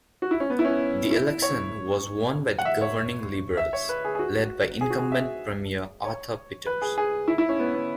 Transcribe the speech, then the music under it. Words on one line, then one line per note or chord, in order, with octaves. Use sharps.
The election was won by the governing Liberals, led by incumbent Premier Arthur Peters.
F#4
E4
C#4
B3
E4
C#4
E4
C#5
F#5
E5
C#5
E5
C#5
B4
G#4
G#4
F#4
G#4
F#4
G#4
E5
C#5
B4
G#4
G#4
E4
E4
C#4
B3
B3